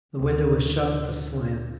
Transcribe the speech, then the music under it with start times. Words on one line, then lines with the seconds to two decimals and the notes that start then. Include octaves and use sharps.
The window was shut with a slam.
0.20 D2
0.66 D3